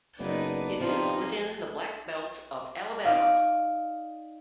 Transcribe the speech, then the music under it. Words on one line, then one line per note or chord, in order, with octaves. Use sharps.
It is within the Black Belt of Alabama.
F#1 B3 D4 D#4 B4 D5
C3 F3 D#4 G4
D#4 D5 F5